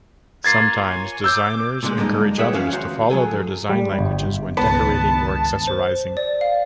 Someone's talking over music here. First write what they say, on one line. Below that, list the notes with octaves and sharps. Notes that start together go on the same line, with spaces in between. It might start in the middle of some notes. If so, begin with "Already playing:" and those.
Sometimes, designers encourage others to follow their design languages when decorating or accessorizing.
A#3 F4 G#6 A6 C7
C#5 G#5
D6 E6 G6
A#2 D3 G#3
G#2 D3 G3 G#3 A#3 D#4
G#4 B4 C#5 E5 F#5 G5
E3 F3 C#4 F5
D2 F#4 C5 A#5
F3 F#3 G#4 A4
G3
G1
C#2 G2 D#3 B3 A5
C5
D5
F5